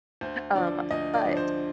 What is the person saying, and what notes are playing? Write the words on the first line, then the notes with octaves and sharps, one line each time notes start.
um, but,
D2 C5
D3 F3 D5
D2 D#5
D5
D3 F3
C5